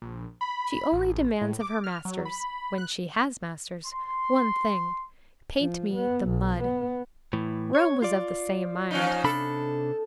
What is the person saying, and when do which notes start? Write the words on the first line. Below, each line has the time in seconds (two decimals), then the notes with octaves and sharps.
She only demands of her masters--when she has masters--one thing: "Paint me the mud." Rome was of the same mind.
0.02 A#1
0.41 B5
0.92 A1
1.41 A2
1.61 D6
1.84 F6
2.05 F#3
2.25 B5
2.78 F#6
3.85 C6
5.60 F3
5.95 B3
6.28 B1
6.61 B3
7.33 A2 E3
7.75 C#5
8.02 F4 D5
8.91 F3 C#4 D#4
9.24 C3 D4 A4 B5